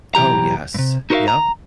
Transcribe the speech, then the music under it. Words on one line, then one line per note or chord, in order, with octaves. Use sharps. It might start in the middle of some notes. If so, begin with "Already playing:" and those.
Oh, yes. Yep.
B1 E3 G4 A#5
G2 C3
D#4 F#4 A#4 C5 E5 F5
A#5